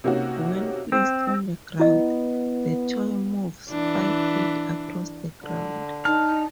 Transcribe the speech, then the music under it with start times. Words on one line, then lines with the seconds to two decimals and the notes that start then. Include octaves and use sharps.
When placed on the ground, the toy moves five feet across the ground.
0.04 C3 A#3 C#4 D#4 F#4
0.92 C4
1.80 B3 E4 D#5
3.69 E3 D4
5.44 D3
6.05 D#4 A5 F6